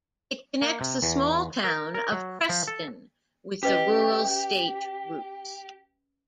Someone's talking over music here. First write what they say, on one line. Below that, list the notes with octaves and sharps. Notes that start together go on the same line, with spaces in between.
It connects the small town of Creston with the rural state routes.
A#3
C3
E2
A#4
A#4
F#3
F3
A4
C#4 G4 B4 D#5